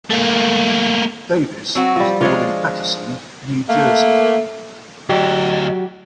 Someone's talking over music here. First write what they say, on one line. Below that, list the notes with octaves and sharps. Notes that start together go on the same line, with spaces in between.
Davis was born in Paterson, New Jersey.
A3 A#3
F#3 C4 F#4
F3 G3
F3 G#3 D4 F4 C#5
A3 A#3
D2 F#3 G4 D#5